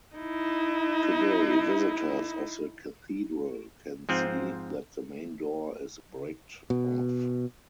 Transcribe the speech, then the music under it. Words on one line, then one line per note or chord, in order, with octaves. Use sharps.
Today, visitors of the cathedral can see that the main door is bricked off.
D#4 E4
G#2 F3 C4
B2